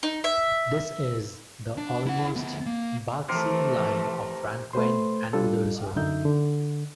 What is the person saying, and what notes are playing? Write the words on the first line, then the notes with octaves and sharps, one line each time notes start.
This is the almost Barksian line of Franquin and Uderzo.
D#4
E5
D4
E4 F#5
D2 B3
A#3
C3 E3 A3 A#4 C6
A3 B4 C5 C6
G3 D4 F4 A4
F#2 D3 D#4 E5 G6
D3